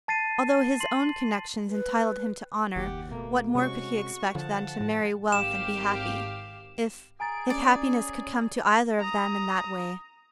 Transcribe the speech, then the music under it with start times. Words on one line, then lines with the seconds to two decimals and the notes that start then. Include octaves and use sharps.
Although his own connections entitled him to honor, what more could he expect than to marry wealth and be happy, if--if happiness could come to either of them in that way.
0.08 A5 A6 C7 D#7
0.80 C6 C7 F#7
1.69 B4
2.76 F#1 D#2 G4 F#5
3.11 B2 A3 A#3
3.55 C3 G#3 C4 C#4 F#4 C#6
4.35 D3 F3 F#5 A5
4.80 A2
5.32 G#1 G4 F5 E7
7.20 G#4 G#5 A#5 A6 D7
7.50 C#4 D5
9.00 A#5 D#6